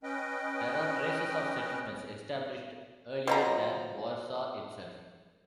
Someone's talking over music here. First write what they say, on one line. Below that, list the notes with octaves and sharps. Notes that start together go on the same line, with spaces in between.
There are traces of settlements established earlier than Warsaw itself.
C#4 B4 D#5 G5
B2 F3 A#5